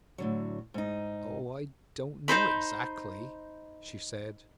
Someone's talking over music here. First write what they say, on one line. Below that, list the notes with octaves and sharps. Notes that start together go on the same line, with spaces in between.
"Oh, I don't know exactly," she said.
A2 D3 F#3
G#2 D#4
D#4 A4 C5 B5